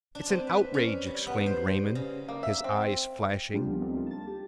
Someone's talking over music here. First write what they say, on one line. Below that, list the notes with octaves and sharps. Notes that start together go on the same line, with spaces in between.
"It's an outrage!" exclaimed Raymond, his eyes flashing.
D4
C4
B4
C#4
G3
B3
C5
C#3
A#3
E5
C4
G3 G#3 D4 F4 G4
C#2 F3 A#3 B3
B3 C4 D#4 G4 A4
A3 A#3 F4
A5 A6
G4